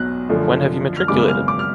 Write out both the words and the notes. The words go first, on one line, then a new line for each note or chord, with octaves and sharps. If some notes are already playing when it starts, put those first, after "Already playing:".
When have you matriculated?
Already playing: B1 B2 F#3 F#6
F#2 D3 F3 A3
F6
G#1 F#2 C#3 G#3 B3 D6
F6
D6
F6